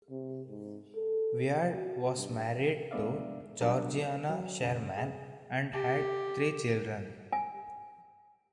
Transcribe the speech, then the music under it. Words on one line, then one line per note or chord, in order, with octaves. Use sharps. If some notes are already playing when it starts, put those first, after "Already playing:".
Wiard was married to Georgiana Sherman and had three children.
C3
G#2
A4
F#4
G2
G#3 B3 D4 D5 E5 F5
F#3 G3 B3 D4 A#4
F#3
F#2 C#3
G#4
G4
G#5